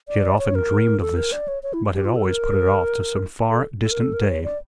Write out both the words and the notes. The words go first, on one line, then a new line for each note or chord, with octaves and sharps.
She had often dreamed of this, but had always put it off to some far-distant day.
D5
C#5
A#4
A4
A#4
D5
C#5
C#5
E4
G4
F4
A4
A#4
A4
A4
A#4
A4
A#4
C#5
D5